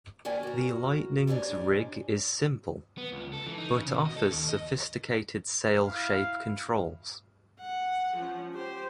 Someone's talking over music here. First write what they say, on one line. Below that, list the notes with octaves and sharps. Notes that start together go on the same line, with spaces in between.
The Lightning's rig is simple, but offers sophisticated sail shape controls.
D#2 C#4 A#4 D5 G5 G#5
F#4 A#4
F2 C3 B3 C#4 D4
B3
C#2
A4
E3
D#4
C#3
B2
D#5
A4
D#2
D#5
E4 E5 F5
F#5
F3 C#4
G4 C5